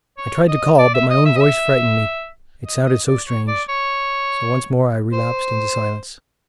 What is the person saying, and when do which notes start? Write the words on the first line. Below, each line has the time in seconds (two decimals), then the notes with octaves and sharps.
I tried to call, but my own voice frightened me--it sounded so strange; so once more I relapsed into silence.
0.17 C#5
0.48 D#5
0.79 D5
0.94 E5
1.10 D#5
1.25 E5
1.36 D#5
1.41 E5
2.65 D#5
2.85 D#5
3.06 D5
3.26 C#5
3.48 D5
3.69 C#5
5.13 C5